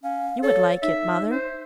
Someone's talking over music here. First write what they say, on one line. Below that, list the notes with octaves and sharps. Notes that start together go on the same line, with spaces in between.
You would like it, mother?'
C#4 F5
A4 C#5
D#4 E5
C5